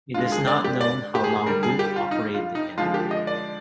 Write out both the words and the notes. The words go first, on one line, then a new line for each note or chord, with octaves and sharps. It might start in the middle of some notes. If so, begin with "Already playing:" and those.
It is not known how long Luke operated the inn.
D3 G#3 F4
G#4
D5
G4
D5
G4
G#4
G#4
D3 G3 A#4
G#4
G4
F4
D#4
F4
D#4
D3 F3 G#3 F4
G4
D#5
D5